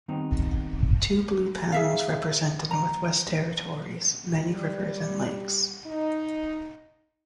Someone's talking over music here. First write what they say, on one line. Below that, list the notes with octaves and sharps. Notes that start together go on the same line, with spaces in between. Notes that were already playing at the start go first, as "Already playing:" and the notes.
Two blue panels represent the Northwest Territories' many rivers and lakes.
D#3 G3 B3 C4 D#4
G#4 E5 F5
A#5
G3
D#4